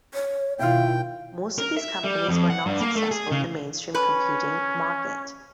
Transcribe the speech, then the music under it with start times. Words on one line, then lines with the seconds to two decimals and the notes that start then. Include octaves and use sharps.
Most of these companies were not successful in the mainstream computing market.
0.14 C#5
0.59 B2 D#3 E4 F4 F5 G5
1.58 A#4
1.77 E5
2.04 G3
2.28 F2
2.50 F#5
2.66 G2
2.80 A#3
2.96 A3
3.11 G#4
3.31 C#3
3.95 C#4 B4